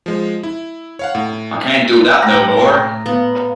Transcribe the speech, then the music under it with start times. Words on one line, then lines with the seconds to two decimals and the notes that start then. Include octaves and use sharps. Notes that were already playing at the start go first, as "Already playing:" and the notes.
I can't do that no more.
0.06 F3 G#3
0.43 E4
0.99 C#5 F5 F#5
1.15 A2
2.22 A2 G5 A#5
3.06 B3 F5